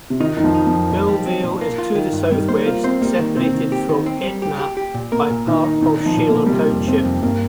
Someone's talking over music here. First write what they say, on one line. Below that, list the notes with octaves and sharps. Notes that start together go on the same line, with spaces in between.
Millvale is to the southwest, separated from Etna by part of Shaler Township.
C3
D#3 D#4
F2 D#3
F3
D#4
F3
F2
A#2
G3
C4
A#2
A#3
F4
D#3
G2
D#3 G3
A#3 C5
A#3 F4
C4 C5
G3 A#3
D#3
C3 C4
D#3
G4
D#3
C4
G3
G4
G4
G4
A#2
A#3 A#4
A#2
A#2 D#3
D#4
A#2 D#3
D#4
F3
A#2
A#3
A#2
G3
C3 A#3
F2
C3 C4
F2
G2 A#3